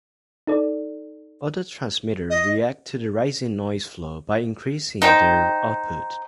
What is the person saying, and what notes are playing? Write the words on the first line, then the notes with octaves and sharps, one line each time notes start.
Other transmitters react to the rising noise floor by increasing their output.
D#4 A4 D5
D#5
D#4 C5 G5